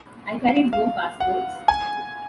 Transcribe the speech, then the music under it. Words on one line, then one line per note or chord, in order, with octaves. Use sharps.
I carried no passports.
F5
F#5
G#5